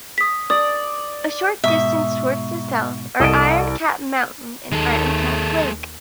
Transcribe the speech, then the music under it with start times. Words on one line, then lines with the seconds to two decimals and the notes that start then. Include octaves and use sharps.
A short distance towards the South are Iron Cap Mountain and Iron Cap Lake.
0.18 D#6 B6
0.50 D5 D#6
1.64 G#2 B2 E5
3.20 C2 A4 D#5 D7
4.72 D#2 D#3 G#3 A4